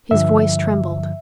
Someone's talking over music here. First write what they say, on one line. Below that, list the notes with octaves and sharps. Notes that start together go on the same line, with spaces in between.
His voice trembled.
G2 D3 F3 E5